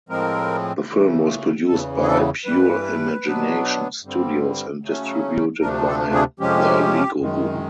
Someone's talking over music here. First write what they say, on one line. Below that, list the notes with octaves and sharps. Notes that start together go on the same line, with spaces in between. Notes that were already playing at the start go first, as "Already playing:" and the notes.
The film was produced by Pure Imagination Studios and distributed by The Lego Group.
A2 F3 G#3 C4 A#4
C#3 E3 A3
E2 C#3 E3 A4
G#4
A4
G2 E3 G3 B4
B2 F#3 B3 D4
G2 D3 G3 C4
C#3 F#3 A3 C#4
D2 C3 F3 A3 D4 A#4
A4
G#4
F2 C3 F3 G#3 C#4 G4
F#2 D#3 G#3